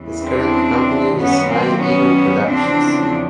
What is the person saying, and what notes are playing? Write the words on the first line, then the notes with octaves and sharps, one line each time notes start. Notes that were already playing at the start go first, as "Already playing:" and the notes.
His current company is High Eagle Productions.
Already playing: E2 C#3 E3 G3
C4 D4
F#2 D#3 G3 B3 C#4
A#3 C4
B3 C#4
E2 C#3 F3 C4 D4